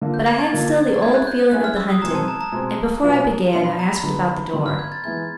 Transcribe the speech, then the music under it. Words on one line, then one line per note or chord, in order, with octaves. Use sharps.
But I had still the old feeling of the hunted, and before I began I asked about the door.
D3 F3 A#3
G6
G#6
A6
D3 F3 A#3
G#3 C#4 E4 G#4 G#6
F#6
G6
F#6
G#3 C#4 E4 G#4 F#6
F6
E6
D#6
B2 G#3 C4 A#5
A5
A#5
A#5
B2 G#3 C4
B2 F#3 B3 D4 F4
B2 F#3 B3 D4 F4 C6
B5
A#5
B5
D3 F#3 B3
D3 F#3 B3 C6
F6
G#6
A6
E3 G#3 B3 E4 G#4 G#6